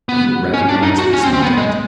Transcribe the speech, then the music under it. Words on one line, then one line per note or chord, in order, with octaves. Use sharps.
"Do you recognize this object?"
B3
C#4
D4
D#4
F#4
C#4
C4
C4
B3
G#3